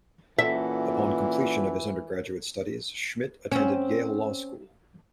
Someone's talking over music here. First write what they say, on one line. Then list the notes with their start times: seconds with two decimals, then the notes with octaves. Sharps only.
Upon completion of his undergraduate studies, Schmidt attended Yale Law School.
0.39 A#2 E3 C#4 F#4 A4 E5
3.51 C4 C#4